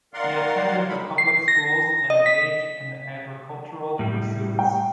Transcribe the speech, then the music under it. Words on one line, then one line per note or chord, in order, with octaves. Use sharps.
He attended the public schools and engaged in agricultural pursuits.
D#3 A#4 D5 F5 F#5 C6
B2 G#3 D#4 B5
C7
A#6
D#5
B6
A2 G3
G5